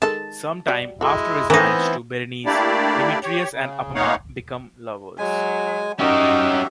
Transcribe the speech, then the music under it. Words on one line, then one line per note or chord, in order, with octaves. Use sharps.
Sometime after his marriage to Berenice, Demetrius and Apama became lovers.
D#3 G#3 A4 A5
G3 F#4 D5
G#3 E4 F#4 A4
E3 A3 B3 C4 D#4 E4 A#4
A3 A#3 D4 E4 G4 D5
G4 C#5
C#3
A3 B3 D#4 C#5 F5 F#5
F#3 G#3 G#5
C#4 D#4 F#4 G4 A#4 E5